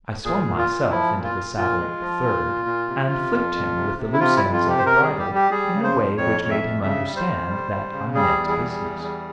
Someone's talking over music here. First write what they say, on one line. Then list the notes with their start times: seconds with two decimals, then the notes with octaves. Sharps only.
I swung myself into the saddle of the third, and flicked him with the loose ends of the bridle in a way which made him understand that I meant business.
0.24 A#2 G#4
0.47 A#2
0.57 F4
0.68 A#2
0.90 F3 E4
1.13 A#2
1.23 F4
1.35 A#2
1.57 A#2 F4
1.78 G#3
2.01 F3
2.23 A#2
2.44 A#2
2.66 A#2
2.88 C3
3.10 C3
3.32 F2
3.54 F2
3.76 C3
3.97 C3
4.13 E4
4.20 C3 F4
4.37 E4
4.42 F2
4.53 F4
4.64 C3 G4
4.79 C5
4.85 C3 A#4
5.03 G3 G#4
5.19 G4
5.30 G3
5.35 G4
5.51 G3 G#4
5.74 C#3
5.84 C5
5.96 F2
6.17 F2 C#5
6.40 F2 C#5
6.51 E5
6.62 F2
6.83 C#3 E5
7.05 G3
7.16 C5
7.27 F2
7.48 G3
7.72 G3
7.92 C#3
8.15 G3 G#4
8.37 E2
8.48 G#4
8.58 G3
8.81 E2
9.03 G3